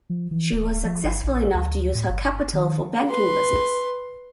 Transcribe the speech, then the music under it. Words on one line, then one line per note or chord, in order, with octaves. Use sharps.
She was successful enough to use her capital for banking business.
F3
E3
D1
F3
G1
A#1
D2
A2
G1
D#3
B4 C6